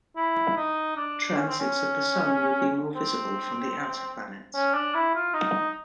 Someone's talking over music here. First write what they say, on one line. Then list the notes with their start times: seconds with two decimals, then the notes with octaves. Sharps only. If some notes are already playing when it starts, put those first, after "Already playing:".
Transits of the Sun would be more visible from the outer planets.
0.16 E4
0.57 D#4
0.97 D4
1.36 C#4
1.48 C4
1.60 C#4
2.95 C4
4.54 C#4
4.74 D4
4.94 E4
5.15 F4
5.34 D#4